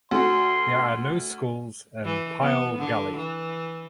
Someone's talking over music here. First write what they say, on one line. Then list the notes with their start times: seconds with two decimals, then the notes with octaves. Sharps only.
There are no schools in Pile Gully.
0.11 D2 F#4 C6
2.05 E3
2.41 B3
2.79 D3
3.17 E3